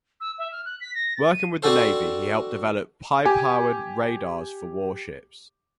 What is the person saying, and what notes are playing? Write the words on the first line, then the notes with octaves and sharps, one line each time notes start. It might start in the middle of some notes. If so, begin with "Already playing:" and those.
Working with the Navy, he helped develop high-powered radars for warships.
E6
E5
F6
F#6
B6
A#6
A6
D#7
C4 D4 F#4 A4 C5
G4 G#5